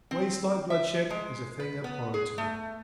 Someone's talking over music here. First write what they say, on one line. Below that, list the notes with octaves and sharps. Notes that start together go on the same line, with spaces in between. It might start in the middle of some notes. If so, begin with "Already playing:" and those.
Waste, like bloodshed, is a thing abhorrent to me.
C4
E5
G#3
B4
B3
G#4
A3